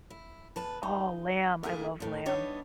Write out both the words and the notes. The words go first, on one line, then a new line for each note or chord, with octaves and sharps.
Oh, lamb. I love lamb.
E4
E2 B4 A5
D#4
A2 D3 A#3 E4 G#4
D2 A2 D#3
G3 B3 D4 D#4 C#5